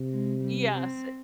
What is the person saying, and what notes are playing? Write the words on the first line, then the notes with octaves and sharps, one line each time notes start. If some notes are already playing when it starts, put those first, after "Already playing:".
Yes, uh
Already playing: C3
G#3
G3
C4